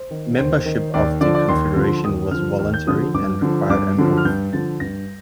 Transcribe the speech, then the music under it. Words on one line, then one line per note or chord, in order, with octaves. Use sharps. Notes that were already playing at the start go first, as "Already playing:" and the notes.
Membership of the confederation was voluntary, and required an oath.
Already playing: C5
D#3
D#2 C5
D#3
D#2 D5
D3 F3 D5
D5
D#2 C6
D3 F3
D#2 D#6
D3 F3 F6
D#2 F6
G6
D3 F3 D#6
G2 D6
D3 F3
G2 D6
D3 F3
F6
G2 G6
D3 F3 A6
G2 A#6